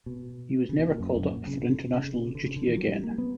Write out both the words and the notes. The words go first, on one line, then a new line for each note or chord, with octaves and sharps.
He was never called up for international duty again.
B2
C#3
B2
A#2
F#2
F#2
A#2
C#3
D3
C#3
C#3
B2
D3
D3
C#3
D3
E3
F#3
G3
A#3
B3